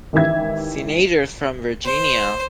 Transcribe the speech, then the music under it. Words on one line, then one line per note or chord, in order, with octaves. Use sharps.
Senators from Virginia.
G#1 D#3 E3 G4 E5 G#6
C5